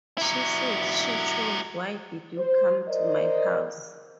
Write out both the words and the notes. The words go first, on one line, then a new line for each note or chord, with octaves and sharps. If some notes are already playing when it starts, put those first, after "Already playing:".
She said she chose Why Did You Come to My House?
F#3 E4
C5
A#4 C5 D5 D#5